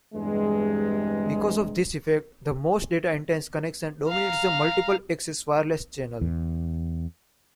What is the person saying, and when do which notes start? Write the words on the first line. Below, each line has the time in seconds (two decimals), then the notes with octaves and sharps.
Because of this effect, the most data-intense connection dominates the multiple-access wireless channel.
0.15 E2 G2 C3 G#3
4.08 F5 A#5
6.21 E2